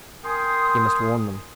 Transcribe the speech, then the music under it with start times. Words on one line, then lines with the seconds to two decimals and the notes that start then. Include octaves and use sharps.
He must warn them.
0.24 A#4 G5 G#5 C6 D#6